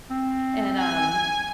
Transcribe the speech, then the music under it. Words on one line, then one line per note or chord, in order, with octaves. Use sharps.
and, um,
C4
G#5